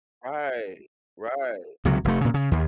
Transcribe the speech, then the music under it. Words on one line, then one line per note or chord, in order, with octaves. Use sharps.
Right, right.
C#2 C3 F#3
F1 A3
A#2 C#3
C#3
D#2